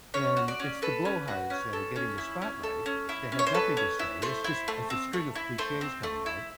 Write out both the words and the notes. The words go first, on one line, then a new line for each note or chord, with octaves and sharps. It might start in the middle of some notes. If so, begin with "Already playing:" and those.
And it's the blowhards that are getting the spotlight that have nothing to say, it's just it's a string of cliches coming out
C#4 C#5
F#4
D5
C#4
A4 B4
C#4
F#4
C#4
A4
C#4
E4
C#4
A4
C#4
E4
C#4
C#5
C5
A4 B4
C#4
E4
A3 C5
E4
A3
C4
A3
E4
A3 C5
C4
A3
E4